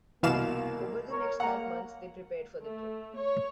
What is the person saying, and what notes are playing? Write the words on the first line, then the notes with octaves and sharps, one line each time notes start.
Over the next nine months they prepared for the trip.
C2 B2 E3 A#3 F5 F#5 E7
A#4 C#5
A#3 F#5 A#5
A3
C#5